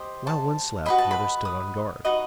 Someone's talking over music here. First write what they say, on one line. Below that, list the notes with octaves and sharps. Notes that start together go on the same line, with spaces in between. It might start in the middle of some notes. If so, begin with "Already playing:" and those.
While one slept, the other stood on guard.
Already playing: G4 C5 D#5
A5
F#4 B4 D#5 B5
A5
B5
D#6
D#4 F#4 B4 D#5